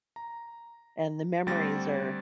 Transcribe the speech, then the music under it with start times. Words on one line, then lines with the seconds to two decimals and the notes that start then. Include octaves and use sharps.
and the memories are
0.16 A#5
1.47 D2 G3 C4 A6 A#6